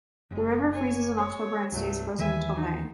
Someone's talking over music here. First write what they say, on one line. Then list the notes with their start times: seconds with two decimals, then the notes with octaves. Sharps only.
The river freezes in October and stays frozen until May.
0.31 F#1 G#3
0.73 C#5 G#5
1.18 C#5
1.72 C2 G2 F#3 A3
2.19 D#2 D#3 E3 E5 G#5
2.56 D#4